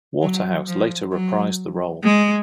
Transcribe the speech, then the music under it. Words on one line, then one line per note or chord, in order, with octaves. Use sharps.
Waterhouse later reprised the role.
F#3
F3
F#3
G#3